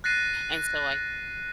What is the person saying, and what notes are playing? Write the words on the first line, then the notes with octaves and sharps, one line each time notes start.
And so I
F#6 A6 A#6 C7 D#7